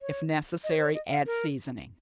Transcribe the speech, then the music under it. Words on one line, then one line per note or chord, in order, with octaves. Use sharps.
If necessary, add seasoning.
C#5
D#5
C#5
C5
C#5
D#5
F5
A#4